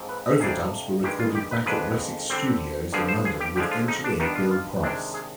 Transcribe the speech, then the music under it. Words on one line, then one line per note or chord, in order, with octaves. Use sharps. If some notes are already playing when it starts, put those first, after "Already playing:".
Overdubs were recorded back at Wessex Studios in London with engineer Bill Price.
Already playing: G#2 F3 C4
B4
F2 C3 G3 D4 G#4
G2 D#3 G#3 G4
F4
G4
B4
F2 D#3 G#3 D4 B4
D3 G3 C4
G2 D3 F3 G#4
C5
G#4
G4
D3 F3 G#3 G4
F4
D#4
D4
G2 D#3 B3 D4 D#4
F4
F4
C3 D#3 G#3 D4
G#4